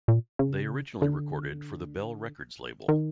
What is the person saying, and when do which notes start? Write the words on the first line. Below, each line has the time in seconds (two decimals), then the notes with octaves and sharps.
They originally recorded for the Bell Records label.
0.08 A#2
0.39 C#3
1.02 D3
2.89 D#3